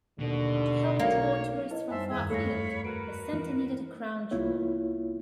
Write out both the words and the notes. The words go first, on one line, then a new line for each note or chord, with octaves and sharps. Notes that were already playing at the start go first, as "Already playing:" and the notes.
To help draw tourists from far afield, the center needed a crown jewel.
D#2 B2 D3
B1 A#3 C#5
E4 B4 D#5
F#2 G3 D#4 C5 E5 G#5 A5 C6
E2 G2 D#3 G#4 E5 G#5 G#6
A3 D#4 C#5 F5 B5 A#6
F#4 A#4 B4 D7
E3
C2 A#3 B3 E4 F4 C#5